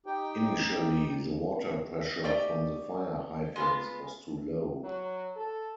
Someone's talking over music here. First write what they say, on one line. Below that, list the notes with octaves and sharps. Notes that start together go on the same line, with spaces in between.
Initially, the water pressure from the fire hydrants was too low.
D#4 G4 G5
A3 G4 D5 D#5
G#3 B3 F4
F#3
A4